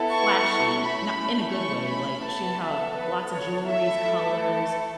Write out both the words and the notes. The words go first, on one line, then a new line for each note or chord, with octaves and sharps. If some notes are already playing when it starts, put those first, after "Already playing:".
flashy, no in a good way, like, she'd have lots of jewelries, colors,
Already playing: B3 E4 A4
C#6
A3 C#4 E4 B5
C#6
B5
B3 A4 A5
E5
B4
C#5
A3 E4 A4 E5